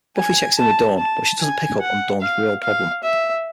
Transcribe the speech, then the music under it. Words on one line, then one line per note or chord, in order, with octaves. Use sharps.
Buffy checks in with Dawn, but she doesn't pick up on Dawn's real problem.
G#5
A5
A5
G#5
F#5
F5
F5
E5